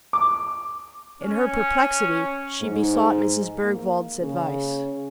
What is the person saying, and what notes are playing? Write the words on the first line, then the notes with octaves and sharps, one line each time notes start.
In her perplexity, she besought Mrs. Bergwald's advice.
D6
C#4
G#2
A#3
C#3